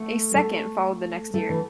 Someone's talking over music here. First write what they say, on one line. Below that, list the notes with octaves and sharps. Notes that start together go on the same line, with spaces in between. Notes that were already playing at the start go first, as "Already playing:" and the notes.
A second followed the next year.
Already playing: A3
A3
A3
E3